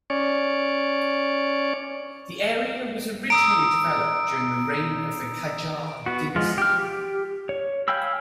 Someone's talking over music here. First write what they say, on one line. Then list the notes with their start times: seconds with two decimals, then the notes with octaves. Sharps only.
The area was originally developed during the reign of the Qajar Dynasty.
0.10 C#4 C#5 D5
3.30 A#5 D#6 E6 D7
6.06 B3 F#4
6.36 F3 G#3 F4
6.58 G4 F6
6.78 G4
7.49 C#5
7.88 F5 G5 G#5 B5 E6